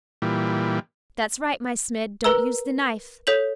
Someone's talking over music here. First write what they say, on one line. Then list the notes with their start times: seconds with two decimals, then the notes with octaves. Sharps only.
That's right, my Smid, don't use the knife!
0.22 A#2 E3 G3
2.24 A#4 B4 A#5 E6
3.27 A4 C#5 G6 B6 F7 F#7